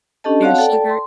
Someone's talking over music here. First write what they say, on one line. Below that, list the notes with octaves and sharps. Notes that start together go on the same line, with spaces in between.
there's sugar
C#4 D4 G4 A4 D#5 A5
C4 F#4 C#5 F5 F#5 A5
A4 D5 G5 A5
C6